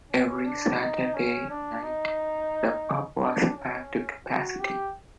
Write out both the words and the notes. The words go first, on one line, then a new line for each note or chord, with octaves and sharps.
Every Saturday night the pub was packed to capacity.
C#4
D4
D#4
C#4
D4
D#4
D4
C#4
F#4
G4